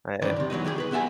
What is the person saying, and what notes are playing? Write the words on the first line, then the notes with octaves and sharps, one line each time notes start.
I it
G2 D#3 E3 C#4 B4 D5
D2 C3
E3 F#3 B3 D#4
D#3 E4 G4 G#4
G#4 A4 B4
C2 B3 F#4 E5 G#5